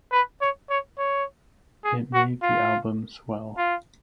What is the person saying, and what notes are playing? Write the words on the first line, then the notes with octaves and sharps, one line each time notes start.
It made the album swell.
B4
C#5
C#5
C#5
G#4
F#4
F4
F4